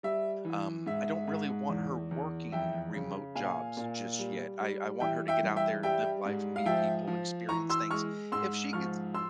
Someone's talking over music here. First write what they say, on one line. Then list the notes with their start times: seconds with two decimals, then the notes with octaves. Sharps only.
um, I don't really want her working remote jobs just yet. I I want her to get out there, live life, meet people, experience things. If she gets
0.03 G3 E5
0.45 E3
0.86 G#2 E5
1.28 G#2
1.69 E2
2.11 E2
2.52 F2 E5 G5
2.94 C#3
3.35 A#2 F5 G#5
3.77 A#2
4.19 G3
4.60 G3
5.00 E3 E5 G5
5.28 E5 G5
5.43 G2
5.56 E5 G5
5.83 G3 E5 G5
6.25 G#2
6.56 F5
6.66 F3 E5 G5
7.07 F3
7.49 E3 A#5 C#6
7.70 C6 E6
7.91 G#3 C#6 F6
8.32 G#2 C6 E6
8.73 F3 C#6 F6
9.14 C6 E6